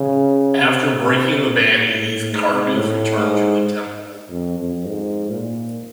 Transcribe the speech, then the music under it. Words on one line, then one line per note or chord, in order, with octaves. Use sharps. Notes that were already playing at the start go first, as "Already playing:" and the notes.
After breaking the Banni, these karagas return to the temples.
Already playing: C#3
C3
C3
A#2
A2
G#2
A2
G#2
F2
F2
G#2
A#2